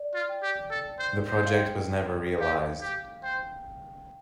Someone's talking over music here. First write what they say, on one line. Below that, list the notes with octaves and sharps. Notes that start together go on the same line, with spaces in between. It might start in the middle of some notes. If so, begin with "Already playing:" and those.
The project was never realised.
Already playing: D5
F4
G5
G4
A4
C5
C5
F5
G5
G4 F5
G4
C5 G5